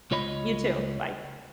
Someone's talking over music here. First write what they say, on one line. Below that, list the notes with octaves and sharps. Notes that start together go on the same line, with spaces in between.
You, too. Bye.
C#2 F4 C#5 D#5 B5